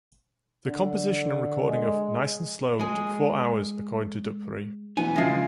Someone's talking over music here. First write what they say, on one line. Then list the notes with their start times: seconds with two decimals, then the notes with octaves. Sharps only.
The composition and recording of "Nice and Slow" took four hours, according to Dupri.
0.67 D3
1.66 G#3
2.80 G#3 G#4
4.97 E3 B3 G#5
5.16 C#3 F3 G#3 E5 C7